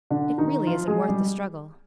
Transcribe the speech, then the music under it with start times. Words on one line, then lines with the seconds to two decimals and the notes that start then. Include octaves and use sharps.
"It really isn't worth the struggle."
0.10 D3 D4
0.38 D#3 D#4
0.67 F3 F4
0.87 G#3 G#4
1.09 G3 G4